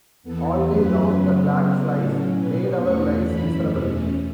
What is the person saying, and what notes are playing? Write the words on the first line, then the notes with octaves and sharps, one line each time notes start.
All day long the black flies made our lives miserable.
E2 E3 B3 A4
F#2 F#3 A3 C#4 B4
C#3 F#3 B3
C#3 F#3 B3
A2 F#3 C#4 A4
B2 B3 B4
E2 B2 A3 C#4 C#6
F#2 E3 A3 B5
E2 B2 A3 C#4